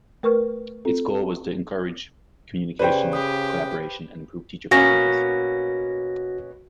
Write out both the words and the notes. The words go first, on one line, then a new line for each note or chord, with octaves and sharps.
Its goal was to encourage communication, collaboration, and improve teacher practices.
A3 A#4 B4 C#6 F6
C4 F4 A4
C#3 G4 B4 C5 D5 G5
G4 D#6
B2 A#3 C#4 F#4 A#6